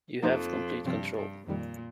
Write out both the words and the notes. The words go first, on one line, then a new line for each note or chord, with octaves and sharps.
You have complete control.
F2 F3 A#3 D#4 C5
G2 C3 F3 C4
G2
F2 A#2 D#3 G3